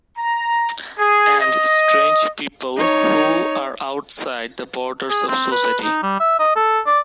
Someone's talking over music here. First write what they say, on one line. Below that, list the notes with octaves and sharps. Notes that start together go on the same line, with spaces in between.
And strange people who are outside the borders of society.
A#5
G#4
D#5
D#4 C#5
G#4
C4
B4
D#4
G3
E5
D#5
A4
D5